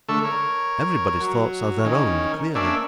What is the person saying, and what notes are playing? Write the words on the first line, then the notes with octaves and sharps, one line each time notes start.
Everybody's thoughts are their own, clearly.'
D3 A3 A4 C#6
A#4 C#5
F#3
D#3 C#4
A#3 C#4 D4 D5 E5